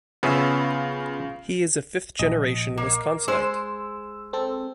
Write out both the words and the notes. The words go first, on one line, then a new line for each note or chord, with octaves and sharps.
He is a fifth-generation Wisconsinite.
C#3 B3 C#4 F4 E5
A#1 D#5
A#3
G#3 C5 E6
C4 A4